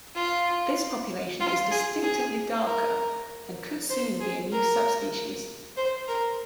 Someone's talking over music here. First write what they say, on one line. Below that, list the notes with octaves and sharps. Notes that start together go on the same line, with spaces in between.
This population is distinctively darker and could soon be a new subspecies.
F4
F4
G#4
G#4
A#4
C5
G#4
A#4
C5
A#4